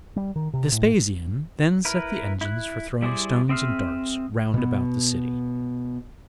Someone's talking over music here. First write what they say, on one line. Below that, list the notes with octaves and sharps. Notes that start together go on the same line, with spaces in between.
Vespasian then set the engines for throwing stones and darts round about the city.
G3
D#3
C3
A2
E4 A#4 B4
E4 F#6
G3 E4 G#4 C5 D5
C4 G#4 E5 C6 F6
B2 B3